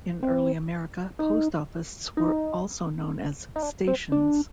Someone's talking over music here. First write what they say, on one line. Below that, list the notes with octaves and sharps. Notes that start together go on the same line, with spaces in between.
In early America, post offices were also known as "stations".
C4
D#4
D#4
D#4
D4
C4
D4